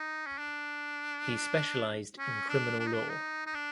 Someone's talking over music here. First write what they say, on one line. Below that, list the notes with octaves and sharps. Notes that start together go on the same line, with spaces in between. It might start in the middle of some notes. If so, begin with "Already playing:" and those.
He specialized in criminal law.
Already playing: D#4
C#4
D4
C#4
D4
D4
D#4
D4
D#4
D#4
D4